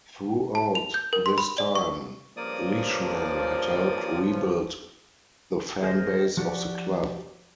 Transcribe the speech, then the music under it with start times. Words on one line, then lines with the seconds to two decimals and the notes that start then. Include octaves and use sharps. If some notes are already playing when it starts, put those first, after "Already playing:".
Throughout this time Leishman had helped rebuild the fanbase of the club.
0.55 A5
0.75 F7
0.94 G6
1.13 A#4
1.26 C6
1.38 B5
1.58 D5
1.75 C#6
2.37 G2 C#3 F3 A#3 D5 D#6
5.83 G#4 A#4 C5 D#5
6.37 F3 F#4 G4 D5